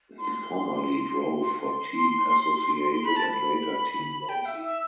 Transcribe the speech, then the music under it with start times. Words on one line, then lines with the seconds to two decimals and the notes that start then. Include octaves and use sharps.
He formerly drove for Team Associated and later Team Losi.
0.18 C6
1.55 C6
2.91 C6
3.04 B5
3.16 A5
3.29 B5
4.29 G5
4.45 E5
4.62 E5